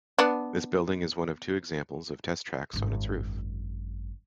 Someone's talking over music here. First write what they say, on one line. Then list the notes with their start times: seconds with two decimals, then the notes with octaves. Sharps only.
This building is one of two examples of test tracks on its roof.
0.19 B3 D4
2.73 G#1 F#2